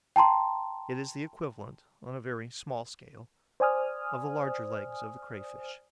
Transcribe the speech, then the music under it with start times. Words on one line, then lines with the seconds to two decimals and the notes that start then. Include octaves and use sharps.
It is the equivalent, on a very small scale, of the larger legs of the Crayfish.
0.16 G5 A5 A#5 C6
3.60 C5 D5 G#5 D#6 F6